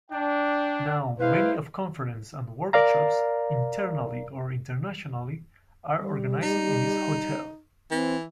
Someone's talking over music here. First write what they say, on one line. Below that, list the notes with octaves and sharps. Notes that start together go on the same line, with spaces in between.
Now many of conferences and workshops, internally or internationally, are organized in this hotel.
D4 G5
G#3 E4 B4 C5 F5
A#4 D5 F5 A#5
G3
D#4
E3 C4